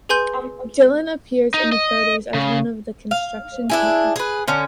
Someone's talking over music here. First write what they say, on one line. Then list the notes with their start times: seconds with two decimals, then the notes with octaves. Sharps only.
Dylan appears in the photos as one of the construction team.
0.09 G#4 B4 G#5 C6 G6 F#7
1.54 D#4
1.72 D#5
2.34 C#3
3.11 F5
3.70 D4 E4 G#4
4.16 G#4 B4
4.48 D3 C#4